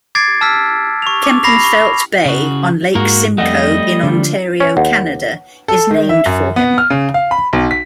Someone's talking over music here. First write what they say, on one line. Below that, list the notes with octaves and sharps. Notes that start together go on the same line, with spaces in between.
Kempenfelt Bay on Lake Simcoe in Ontario, Canada, is named for him.
D6 G#6 A6 C7 D7
A5 E6 F6 B6
C#6 F7
D6
B5 C#6 A#6 C7 F7
C#6
C#3 F#4
G#2 A#3 F#4 A#4
F2 G3 A3 D#5 F#5
D3 F3
C#4 C#5 G#5
D#2 F#5
A4
D#3
E5
F#2
B3
F6
C#3
F5
B5
B1
B6